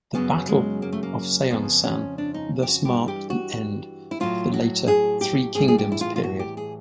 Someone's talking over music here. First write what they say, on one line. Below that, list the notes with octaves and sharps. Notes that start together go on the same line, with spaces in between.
The battle of Seonsan thus marked the end of the Later Three Kingdoms period.
F#2 C#3 F#3 B3
G#3
A#3
A3
A#3
F2 C#3 F3 B3
C#4
D4
D#4
G4
F#4
G2 E3 G3 G4
G4
F#4
F#4
E4
A2 F#3 F4
F#4
G#4
G4
A2 E3 G3 G#4
G#4
G4
E4
F4
F4
F#4
G4
G#4